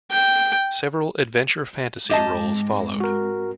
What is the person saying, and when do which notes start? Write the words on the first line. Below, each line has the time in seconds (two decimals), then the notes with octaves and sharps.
Several adventure-fantasy roles followed.
0.11 G5
2.09 G#2 G#3 C4 G4 D#5 A5
3.00 F#4 A#4